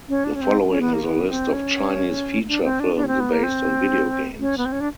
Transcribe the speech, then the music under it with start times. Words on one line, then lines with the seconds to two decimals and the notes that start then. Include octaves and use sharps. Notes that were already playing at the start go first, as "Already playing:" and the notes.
The following is a list of Chinese feature films based on video games.
0.09 C#4
0.24 D4
0.35 C#4
0.41 C4
0.68 C#4
0.81 B3
0.93 A#3
1.05 B3
1.28 C4
1.53 C#4
2.48 D4
2.64 C4
2.80 D4
2.96 D4
3.04 C#4
3.07 C4
3.20 B3
3.32 A#3
3.43 C4
4.40 C#4
4.58 B3
4.66 C4
4.72 C#4
4.81 D4